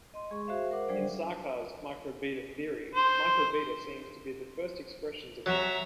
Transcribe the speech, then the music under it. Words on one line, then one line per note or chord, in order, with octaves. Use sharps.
In Sarkar's "microvita theory" "microvita" seems to be the first expressions of life.
D#5 C6
G#3 G#4 C#6
F#4 G#4 C5 E5 F5
A#4 C5 F#5 D6
F#3 G3 D4 G#4 C5 D5
C5
F#3 E5 A#5